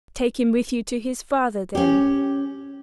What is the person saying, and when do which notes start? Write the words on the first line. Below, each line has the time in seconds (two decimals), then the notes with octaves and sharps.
"Take him with you to his father then."
1.75 C#4 G4